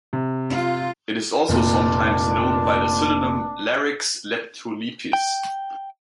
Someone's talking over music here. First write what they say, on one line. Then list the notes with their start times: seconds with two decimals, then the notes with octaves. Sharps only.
It is also sometimes known by the synonym "Larix leptolepis".
0.13 C3
0.52 F4
1.49 F1 A#2 D4
5.13 G5